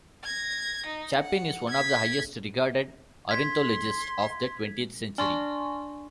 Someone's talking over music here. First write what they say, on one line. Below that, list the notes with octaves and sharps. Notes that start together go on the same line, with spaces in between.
Chapin is one of the highest-regarded ornithologists of the twentieth century.
G#6 A#6
D#4
F#5
G#6 B6
C6 G#6 B6
D4 G#5 C6 C#6